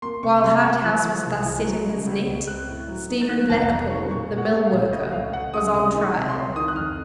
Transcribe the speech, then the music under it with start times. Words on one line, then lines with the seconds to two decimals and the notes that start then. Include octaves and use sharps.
While Harthouse was thus setting his net, Stephen Blackpool, the mill worker, was on trial.
0.02 A#3 C6
0.23 C3 C#6
0.43 C3 C6
0.64 A#3 C#6
0.84 F3 F#6
1.05 F3
1.25 C2
1.45 F3
1.66 F#3
1.86 C#3
2.07 C#2
2.27 C#2
2.48 C4 F#6
2.68 A2
2.88 F#3
3.09 D#4
3.22 A6
3.29 D#3 F#6
3.50 F1 A5
3.70 F1 A#5
3.90 D#3 C#6
4.11 A#2 C#6
4.31 A#2
4.38 F#5
4.52 A#3
4.66 F5
4.73 A#1
4.93 C#2 D#5
5.13 A3 F5
5.33 C#2 F#5
5.54 C#3 D#6
5.74 C3 D#6
5.94 D#3
6.01 C#6
6.15 C3
6.29 C6
6.35 C#2
6.56 D#3 D#6
6.68 F#6
6.76 F2 F6